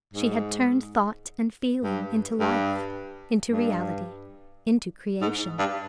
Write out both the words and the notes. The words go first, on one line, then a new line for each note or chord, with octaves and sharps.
She had turned thought and feeling into life, into reality, into creation.
G#2
G2
G2
G2
G#2
G2